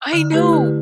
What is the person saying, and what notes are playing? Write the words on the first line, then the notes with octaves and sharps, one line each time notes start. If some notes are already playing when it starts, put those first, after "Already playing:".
I know.
D3
A3 E4 G4 B4
D3